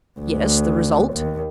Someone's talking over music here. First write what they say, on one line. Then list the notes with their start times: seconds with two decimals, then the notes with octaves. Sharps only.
"Yes, the result?"
0.20 D2
1.13 D#2